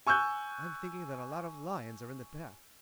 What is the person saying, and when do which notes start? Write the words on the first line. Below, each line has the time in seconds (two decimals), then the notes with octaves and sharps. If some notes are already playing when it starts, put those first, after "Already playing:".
"I'm thinking that a lot of lions are in the path."
0.07 G#5 C#6 E6 F#6 G6